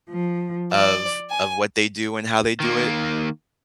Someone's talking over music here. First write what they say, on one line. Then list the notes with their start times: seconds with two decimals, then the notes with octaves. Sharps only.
of of what they do and how they do it,
0.10 F3
0.72 D5
1.30 G#5
2.60 D#3 A#3